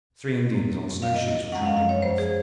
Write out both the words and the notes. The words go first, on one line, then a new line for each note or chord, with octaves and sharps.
Three Indians on snow-shoes were traveling north.
F#2 F3 C4
F5
D#5
D#5
F#2 F3 G#3 C#4 F#5
F5
F5
C#5
C5
G#4